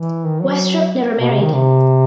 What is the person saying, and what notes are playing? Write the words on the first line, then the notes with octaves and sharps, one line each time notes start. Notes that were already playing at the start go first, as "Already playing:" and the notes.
Westropp never married.
Already playing: E3
D#3
F#3
B2
C3
D#3
C3